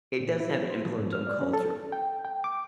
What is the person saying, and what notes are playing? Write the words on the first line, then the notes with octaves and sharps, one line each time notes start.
It doesn't have an influence on culture,
A#2
E4
C5
F3
G#2
F6
D5
C#4
A4
G5
G5
D6